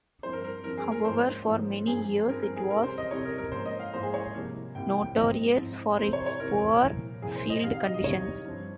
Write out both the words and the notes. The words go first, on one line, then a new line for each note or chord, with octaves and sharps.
However, for many years it was notorious for its poor field conditions.
G2 F3 C4 C5
A#4
A#4
G2 F3 C4 A#4
G#4
A#4
G#2 F3 A#3 C#4 C5
G#2 F3 A#3 C#4
G2 F3 C4 G#4
G2 F3 C4 A#4
A#4
G#4
F2 C3 G3 C#4 A#4
C5
D#5
F2 C3 G3 C#4 C#5
A#4
A#4
G#2 F3 A#3 C#4 C5
D#5
F5
G#2 F3 A#3 C#4 C5
G#4
C#5
C2 C3 F3 A#3
C2 C3 F3 A#3 G5
G5
G5
G#2 F3 C4 D#5
G#2 F3 C4
C3 F3 C4 C5
C#5
C#5
C3 F3 C4 A#4
C2 A#2 F3
C2 A#2 F3 G#4
C5
D#5
C3 D#3 G3 F5
F5
D#5
D#5
C3 D#3 G3 C#5
G2 F3 C4